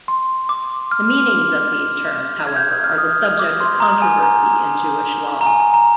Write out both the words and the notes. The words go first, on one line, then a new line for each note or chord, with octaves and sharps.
The meanings of these terms, however, are the subject of controversy in Jewish law.
C6
D6
F6
G#6
G6
F6
D#6
D6
C6
A#5
G#5
A#5
A#5
A#5
G#5
A#5
A#5